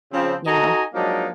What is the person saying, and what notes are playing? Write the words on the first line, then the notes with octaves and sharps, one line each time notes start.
you know,
C#3 F3 C4
D#4 F#4 A4 D#5 G#5 A#5
F3 F#3 G#3 A#3 D4 D#4